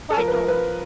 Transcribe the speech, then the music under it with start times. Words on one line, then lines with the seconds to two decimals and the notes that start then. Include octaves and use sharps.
Quite normal.
0.10 A4
0.18 F3 A#4
0.28 B4
0.33 F3 A#4
0.48 F3 B4